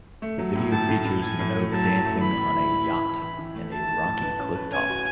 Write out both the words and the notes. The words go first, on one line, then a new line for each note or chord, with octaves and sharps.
The video features Minogue dancing on a yacht and a rocky cliff top.
A3
F#3
A2
A2 A5
A2
A2
A2 G#5
A2
A3
F#3 A5
A2
A3
E3 B5
A2
E4
E3
E4
E4
E3
E3
A3
E3 A5
A3
A2
B4
C#4
B4
C#4 G#5
F#4